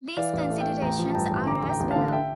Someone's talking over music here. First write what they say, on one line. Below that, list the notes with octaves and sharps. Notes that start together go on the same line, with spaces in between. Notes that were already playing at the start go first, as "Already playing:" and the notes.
These considerations are as below.
E3 D5 F5
A1
D5 F5
A3
E5 G5
A3
A1 G5 A#5
F3
A5
G2 G5 A#5
A1
D3 A#5 D6
A1
G5 A#5
A1
F5 A5
D3
E5 G5